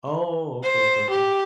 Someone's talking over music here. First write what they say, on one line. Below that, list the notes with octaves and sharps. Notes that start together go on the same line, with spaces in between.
Oh, okay, okay, okay.
C5
G4